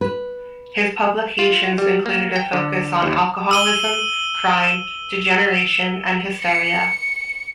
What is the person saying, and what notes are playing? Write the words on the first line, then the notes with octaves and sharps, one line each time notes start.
His publications included a focus on alcoholism, crime, degeneration and hysteria.
B4
F4
G3
A#3
G5
D3
D#2
E6 D#7 G7
C#7